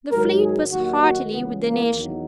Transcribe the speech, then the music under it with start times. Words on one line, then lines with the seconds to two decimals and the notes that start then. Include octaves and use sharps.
The fleet was heartily with the nation.
0.11 G#2 D#3 F#3 A#4
0.41 G#4
0.71 D#2 D#3 F#3 F#4
1.02 F#4
1.32 C#2 C#3 E3 B3
1.63 A#3
1.93 E2 D#3 F#3